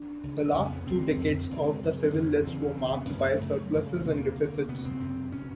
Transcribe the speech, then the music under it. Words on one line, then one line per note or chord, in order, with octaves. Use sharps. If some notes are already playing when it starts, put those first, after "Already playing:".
The last two decades of the Civil List were marked by surpluses and deficits.
Already playing: D4
C#2 C#3
F2 C#3 C#4
B3
C#2 C#3 C4
F2 D3
C#2 C3
F#2 C#3
C4
F2 D3 C#4
E2 C#3 C4
C#4
C#2 C3 C4
B3
F#2 C#3 C#4
B3
A3
F#2 C#3
F#2 C#3
G#3
A3
E2 C3 A#3
A#3
D2 D3
D2 C3 B3
C4
F#2 C#3
B2 C#4